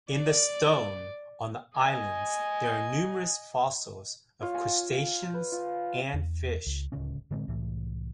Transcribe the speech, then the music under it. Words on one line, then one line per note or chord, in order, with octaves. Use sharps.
In the stone on the islands there are numerous fossils of crustaceans and fish.
D5
D#5 G#5
F4 C#5
F5 G#5
B4
F4
E2
C#2
D1 C#2 C#3 C#4
A2 D3 G#3 C4
C2 A2 E3